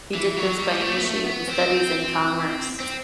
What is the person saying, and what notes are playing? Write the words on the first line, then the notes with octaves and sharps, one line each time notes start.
He did this by initiating studies in commerce.
E3
F#3
G3
A3
B3
A3
B3
C4
C4